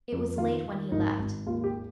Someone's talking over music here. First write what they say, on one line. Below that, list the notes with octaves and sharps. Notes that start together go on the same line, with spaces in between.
It was late when he left.
F2
D#3 F4
D#3
G#1 D#4
G#1
D#2 F4
G4